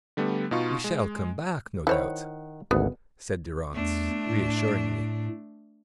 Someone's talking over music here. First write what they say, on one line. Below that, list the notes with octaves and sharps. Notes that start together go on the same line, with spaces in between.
"We shall come back, no doubt," said Durrance, reassuringly.
D3 G3 A3 B3
B2 D#4 F4 C#6
G#3
D#3 E4 C5 C#5 F#5
G#1 D2 B3 F#5
E2 A3 D4
A2